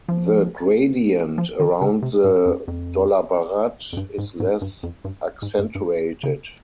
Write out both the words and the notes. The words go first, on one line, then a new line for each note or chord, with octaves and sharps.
The gradient around the Dollabarat is less accentuated.
F3
F3
D#3
C#3
C3
G#2
F2
F2
F2
G2
G#2
G#2
G2
F2
G2
G#2
G2
G2
C#3